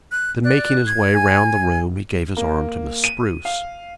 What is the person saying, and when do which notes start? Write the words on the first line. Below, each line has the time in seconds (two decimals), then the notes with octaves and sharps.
Then making his way round the room, he gave his arm to Miss Spruce.
0.11 F#6
0.44 D5 F#6
0.87 G#6
1.14 G#5
2.37 A#3
3.04 D#7
3.45 F5